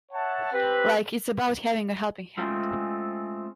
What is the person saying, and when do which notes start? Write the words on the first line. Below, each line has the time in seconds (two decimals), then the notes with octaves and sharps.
Like it's about having a helping hand.
0.12 C#5 E5 F#5 A5
0.52 C4 G4 B4
2.37 G#3 A3 C4 C#4 F4